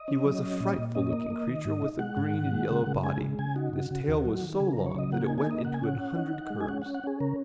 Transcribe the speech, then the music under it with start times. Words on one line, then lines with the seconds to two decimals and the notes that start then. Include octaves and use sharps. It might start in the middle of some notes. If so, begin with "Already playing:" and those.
He was a frightful looking creature with a green and yellow body, and his tail was so long that it went into a hundred curves.
Already playing: D#5
0.08 C#4
0.25 F#3
0.43 C#4
0.60 A#2
0.78 A#2
0.95 C#4 D#5
1.13 A#3
1.30 A#3
1.47 D#3
1.65 G#2
1.82 D#4
1.99 G#3 F#5
2.17 G#2
2.34 D#3
2.52 G#3
2.69 C#3
2.87 C#3
3.03 G#3 G#5
3.21 C#3
3.39 C#3 G#5
3.56 D#4 F#4
3.73 C#3
3.91 C#3
4.08 D#2
4.25 F#3
4.43 D#3
4.60 C#3 G#4
4.73 F#3 A#4
4.86 C#5
4.95 C#3 D#5
5.12 A#3 F#5
5.25 G#5
5.29 D#4
5.38 G#5
5.47 A#3 D#5
5.64 C#3 F#5
5.74 G#5
5.81 C#4 F#5
5.99 C#4
6.16 D#4
6.33 D#4
6.50 G#3
6.61 G#5
6.68 C#4 F#5
6.82 F#5
6.86 C#4
6.95 F#5
7.04 C#4 G#4
7.20 C#3 A#4